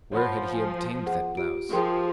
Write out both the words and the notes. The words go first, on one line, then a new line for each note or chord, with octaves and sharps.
Where had he obtained that blouse?
F3 C#5 F#5 B5
G#5
G#4 C5 F#5
F4 G4 D7
F3 G4 G#4 A#4 G5 C6